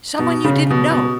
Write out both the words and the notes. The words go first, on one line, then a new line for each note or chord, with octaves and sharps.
Someone you didn't know?
B2
C#3
B2
B2